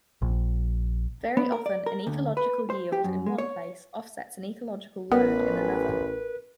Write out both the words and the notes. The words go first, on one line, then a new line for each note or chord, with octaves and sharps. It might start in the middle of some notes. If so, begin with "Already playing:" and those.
Very often an ecological yield in one place offsets an ecological load in another.
A#1
B3
A#4
D5
A#4
D2
B4
C5
G4
F#2
G#3
C#5
A1 B3 A#4 B4